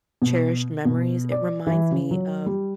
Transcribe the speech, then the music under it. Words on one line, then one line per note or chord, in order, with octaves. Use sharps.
cherished memories, it reminds me of
B2
B2
D5
E3
C#3
F#3
G3